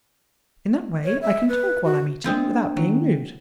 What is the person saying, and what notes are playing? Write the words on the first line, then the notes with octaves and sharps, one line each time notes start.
In that way I can talk while I am eating without being rude.
C#5
E5
B4
F#4
G#3 A#3 C4 D4 F4 G5
D#3 F#3